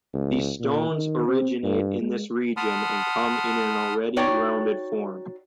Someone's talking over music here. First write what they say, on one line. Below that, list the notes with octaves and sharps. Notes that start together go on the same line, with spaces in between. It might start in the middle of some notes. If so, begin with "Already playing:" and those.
These stones originate in this region and come in an already rounded form.
C#2
A#2
D#3
C4
G2
G#3
F#5 A5 B5 C6 D#6 F6
D#4 F#4 C#5 D5 G5